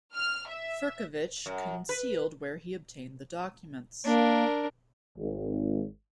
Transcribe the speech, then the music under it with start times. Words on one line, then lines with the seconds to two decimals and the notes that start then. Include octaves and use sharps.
Firkovich concealed where he obtained the documents.
0.15 F6
0.49 E5
1.46 F#2
1.89 B4
4.05 A#3 D4 A#4
5.17 G#1